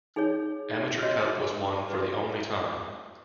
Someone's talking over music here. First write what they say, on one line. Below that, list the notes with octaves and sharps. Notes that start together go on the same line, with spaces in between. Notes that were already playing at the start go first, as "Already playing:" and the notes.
Amateur Cup was won for the only time.
D#4 G#4 C#5
F#4 C#5 D#5
F#4 B4